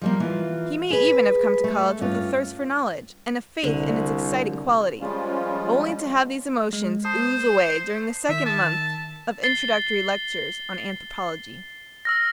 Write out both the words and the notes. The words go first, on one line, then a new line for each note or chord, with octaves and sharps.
He may even have come to college with a thirst for knowledge and a faith in its exciting quality, only to have these emotions ooze away during the second month of introductory lectures on anthropology.
F3 G3 A#3
E3 F4
G#4 B4
A3
G2 C#4 F4
C2 D3
F3 G3 G#3 C#4 F4
G#3
C5 A5 D#6
D#3 E5
A5
A6 C7 G7
E6 F6 A#6